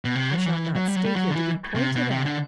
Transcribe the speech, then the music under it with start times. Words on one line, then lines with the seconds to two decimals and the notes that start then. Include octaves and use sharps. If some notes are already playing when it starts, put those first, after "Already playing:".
I shall not stay here to be pointed at.
0.05 B2
0.16 C3
0.36 F#3
0.46 E3
0.75 F#3
0.88 G3
0.96 F#3
1.06 G3
1.16 F#3
1.31 D3
1.36 E3
1.76 C3
1.96 B2
2.11 C3
2.26 D3